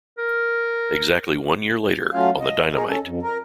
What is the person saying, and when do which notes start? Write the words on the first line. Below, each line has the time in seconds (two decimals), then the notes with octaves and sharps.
Exactly one year later, on the Dynamite!
0.18 A#4
2.13 F#3 A3 C#4 F4 F5
2.40 D#5
2.74 D#4 G#4 A#4
2.88 C#4 A4
3.02 F2
3.23 A#4